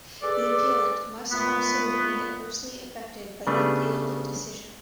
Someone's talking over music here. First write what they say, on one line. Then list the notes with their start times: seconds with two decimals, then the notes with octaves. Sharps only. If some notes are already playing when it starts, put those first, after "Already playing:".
The appellant must also be adversely affected by the appealed decision.
0.22 G#4 A4 B4 D5
1.31 A#2 G#3 A3 B3
3.47 C#3 G3 A3 B3 D4 B4